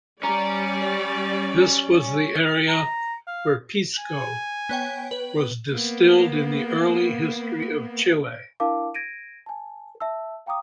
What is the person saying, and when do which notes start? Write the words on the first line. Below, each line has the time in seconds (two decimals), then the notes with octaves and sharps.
This was the area where pisco was distilled in the early history of Chile.
0.23 G3 C#4 D5 A#5
2.68 A#5
3.27 F5
3.99 G#5
4.69 B3 C#5 G5
5.11 B4
5.72 A#3 B3
8.60 D4 E4 A#4 F5 A5 D6
8.94 G#6 A#6 D7 D#7
9.46 G#5 A5
10.00 E5 A5 E6
10.46 F5 G5 A#5 D6 D#6